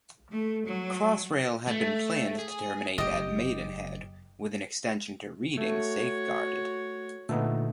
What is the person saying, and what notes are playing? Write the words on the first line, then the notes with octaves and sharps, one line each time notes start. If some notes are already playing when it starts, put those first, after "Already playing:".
Crossrail had been planned to terminate at Maidenhead, with an extension to Reading safeguarded.
A3
F#3
A3
G#4
F#1 G4 D#5
A3 F#4 C#5
A#2 D3 A3 B3 D#4 A4